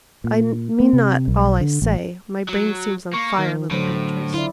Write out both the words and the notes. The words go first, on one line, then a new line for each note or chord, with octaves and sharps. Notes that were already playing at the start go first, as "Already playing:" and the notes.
I mean not all I say--my brain seems on fire, little Beatrice.
A#2
A#3
C3
B1
D3
A1
F#3
A#3 C#6
D#3
A2 D3 F#3 C5
E4 F4 D5